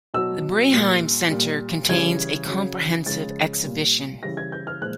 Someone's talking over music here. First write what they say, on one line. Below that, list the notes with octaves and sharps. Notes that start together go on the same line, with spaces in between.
The Breheim Center contains a comprehensive exhibition.
B2 F#3 E6
A#2 G3
A#2 G3
C#3 E3 G3 G#6
C#3 F#3
C#3 F3 G#3 A6
A#2 G3
C#3 E3 G3 A#6
G#6
G6
F6
A#2 F3 G#3 F#6